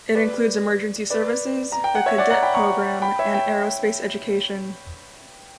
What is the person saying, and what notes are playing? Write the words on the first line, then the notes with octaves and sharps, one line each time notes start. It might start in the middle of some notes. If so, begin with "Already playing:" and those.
It includes emergency services, the cadet program, and aerospace education.
B4 D5
B4 D5
A#5
G5
F#5
C#5 E5
D5 F#5
F#5 A#5
G5 B5
A#5 C#6
G5 B5
C#5 E5
E5 G5